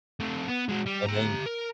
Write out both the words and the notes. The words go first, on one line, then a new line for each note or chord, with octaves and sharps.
and then,
A3 C4
B3
G#3 F#4
G3
G4 A#5
A#4